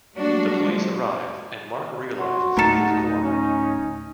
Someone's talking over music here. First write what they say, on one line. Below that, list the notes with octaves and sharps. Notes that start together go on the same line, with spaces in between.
The police arrive and Mark realises he is cornered.
F#3 G3 A3 A#3 D4 F#4
F3 F#3 G#3
F#4 C6
D1 A3 D#4 A4 A#4
C#4